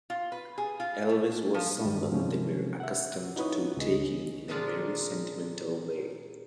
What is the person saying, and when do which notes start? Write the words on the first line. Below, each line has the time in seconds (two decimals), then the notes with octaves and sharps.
Elvis was someone they were accustomed to taking in a very sentimental way.
0.10 F4
0.32 B4
0.58 G#4
0.80 F4
1.09 A3
1.54 F3
1.84 G2 D#3 G3 G#3
2.11 C3 F3 F#3 G#3 C#4
2.80 E5 F#5
3.36 D#4 E4 F#4 B4 C#5 D#6
3.77 C#2 G#4 D#5
4.48 A#2 D#3 F3 G#3 D4 F4